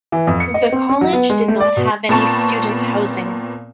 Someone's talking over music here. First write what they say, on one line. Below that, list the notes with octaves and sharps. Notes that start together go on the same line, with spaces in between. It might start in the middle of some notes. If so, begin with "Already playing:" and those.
The college did not have any student housing.
E3
F2
C#7
D#5
C4
C#4
F#3
B3
G#3
A3
D5
B2
A#2 B3 C4 A5 B5 C#6